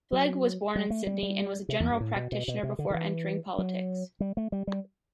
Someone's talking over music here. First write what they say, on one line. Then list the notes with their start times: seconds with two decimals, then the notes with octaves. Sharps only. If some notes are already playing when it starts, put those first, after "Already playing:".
Flegg was born in Sydney and was a general practitioner before entering politics.
0.12 F#3
0.76 G3
0.90 A3
1.07 G3
1.23 G3
1.69 C3
1.80 E2
1.90 G2
2.00 A2
2.16 B2
2.32 B2
2.48 B2
2.63 C3
2.79 D3
2.90 D3
2.95 E3
3.58 F#3
4.20 G3
4.37 A3
4.52 G3
4.67 G3